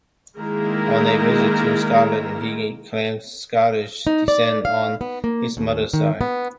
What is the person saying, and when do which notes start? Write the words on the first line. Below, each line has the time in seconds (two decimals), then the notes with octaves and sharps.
On a visit to Scotland, he claimed Scottish descent on his mother's side.
0.37 D#3 G#3 A#3 E4 A#4 A#5
4.07 D#4
4.28 D5
4.65 F5
5.01 B3
5.24 A#3
5.57 D#2
5.93 D#3
6.21 B3